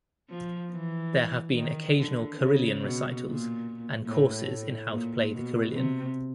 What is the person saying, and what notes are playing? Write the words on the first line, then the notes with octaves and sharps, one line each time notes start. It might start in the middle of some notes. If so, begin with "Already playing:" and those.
There have been occasional carillon recitals and courses in how to play the carillon.
F3
E3
D#3
D3
C#3
B2
A#2
A2
A2
A#2
B2
C3